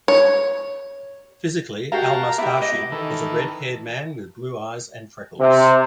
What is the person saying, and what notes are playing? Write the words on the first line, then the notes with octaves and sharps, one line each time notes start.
Physically, Al-Mustarshid was a red-haired man with blue eyes and freckles.
C#5
F#4 G4 A#4 F5 A5 A#5
B3 E4 G4 E5 D6
D#5
D#3 E3 A4
C3